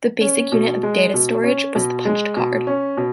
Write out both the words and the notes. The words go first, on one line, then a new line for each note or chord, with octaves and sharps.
The basic unit of data storage was the punched card.
C#4
B2
G#3
B2
C#4
B2
G#3
B2
C#4
B2